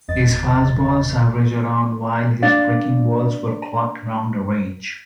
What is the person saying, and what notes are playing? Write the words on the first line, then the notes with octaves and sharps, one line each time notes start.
His fastballs average around while his breaking balls were clocked around the range.
G1 E2 B3 D#5 A6
D4 D5 F5